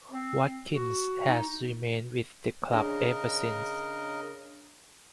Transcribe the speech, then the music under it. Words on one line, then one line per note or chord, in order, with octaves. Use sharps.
Watkins has remained with the club ever since.
C4
F#4
D#4
C#3 D4 G#4 A#4 C#5 D#5